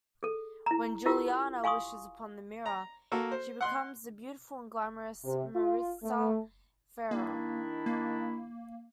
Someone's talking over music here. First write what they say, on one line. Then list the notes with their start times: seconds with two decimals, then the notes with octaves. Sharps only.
When Juliana wishes upon the mirror, she becomes the beautiful and glamorous Maritza Ferrer.
0.23 G#4 A4
0.66 E4 A#5
1.06 E4 F4 G4 A#4
1.64 F5 G#5 C6 C#6 D#6
2.66 A#5
3.12 A#3 F#4 A4
3.32 C5
3.61 F#5 C6 F#6
5.24 C3
5.56 F4
6.03 A3
7.11 D#3 A#3 D4 E4
7.86 A#3